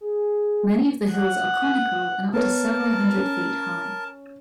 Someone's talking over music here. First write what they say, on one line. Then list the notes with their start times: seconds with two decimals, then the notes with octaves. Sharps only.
Many of the hills are conical and up to several hundred feet high.
0.01 G#4
1.11 F#5
2.33 B3 A#4 B4 C#5 A5
3.17 C#4